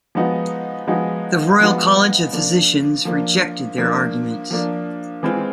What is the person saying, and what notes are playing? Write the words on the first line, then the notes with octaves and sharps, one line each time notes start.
The Royal College of Physicians rejected their argument.
F3 G#3 B3 D#4 F#4
F3 G#3 B3 D#4 F#4
F3 G#3 B3 D#4 F#4
F3 A#3 D4
F3 A#3 D4
F3 A#3 D4
F3 A#3 D4
E3 G#3 C4 F4